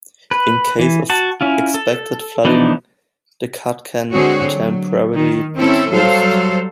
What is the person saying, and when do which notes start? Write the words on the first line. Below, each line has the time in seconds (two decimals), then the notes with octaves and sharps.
In case of expected flooding the cut can temporarily be closed.
0.31 B4
0.79 E3
1.10 F#4 A5
1.41 C#4 E4 F4
1.74 A4
2.45 E3 F3 B3 D4 D#4
4.12 D3 G#3 C4 F#4 G#4 C#5
4.50 F#3
5.13 D#3
5.57 C4 C#4 E4 A4
5.91 F#3 G3 A4 C5 F5